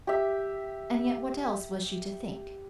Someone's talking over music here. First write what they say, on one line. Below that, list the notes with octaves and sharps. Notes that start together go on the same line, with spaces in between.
And yet what else was she to think?
G4 E5